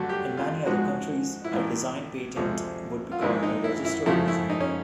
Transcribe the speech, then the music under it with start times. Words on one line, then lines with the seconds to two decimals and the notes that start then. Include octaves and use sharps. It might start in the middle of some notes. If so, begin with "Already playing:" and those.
In many other countries, a Design Patent would be called a "registered design".
Already playing: G2 D3 F#3 A3 F#4
0.09 G4
0.37 F4
0.66 G#2 F3 G#3 F#4
1.44 E4
1.51 A1 A2 E3 F4
2.36 D2 C3 F3 G#3
3.12 F4
3.21 G#1 G#2 F3 G#3 E4
3.43 D#4
3.64 E4
3.85 E4
4.06 F2 C#3 F3 A3 E4
4.28 E4
4.50 D#4
4.60 C#4